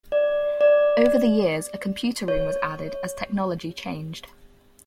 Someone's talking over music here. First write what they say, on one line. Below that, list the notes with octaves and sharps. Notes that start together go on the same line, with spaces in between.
Over the years, a computer room was added as technology changed.
D5
D5
C#5